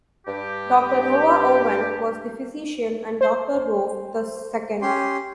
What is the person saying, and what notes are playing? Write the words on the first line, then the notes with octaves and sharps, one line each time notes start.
Doctor Noah Owen was the physician and Doctor Rowe the second.
G2 G4
C5
C#4 G4 C6